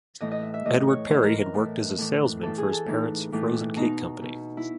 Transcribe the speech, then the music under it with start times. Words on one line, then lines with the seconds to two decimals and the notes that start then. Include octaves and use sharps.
Edward Perry had worked as a salesman for his parents' frozen cake company.
0.21 A2 E3 D#5
0.32 D#5
0.43 E5
0.54 E5
0.65 A2 E3 D#5
0.87 C#5
1.09 A2 E3 C5
1.24 A#4
1.39 A#4
1.54 A2 E3
1.98 A2 E3
2.43 A2 E3 A4
2.58 G#4
2.73 A4
2.87 A2 E3 D#4
3.33 A2 E3
3.76 B2 D#4
4.22 B2
4.57 E4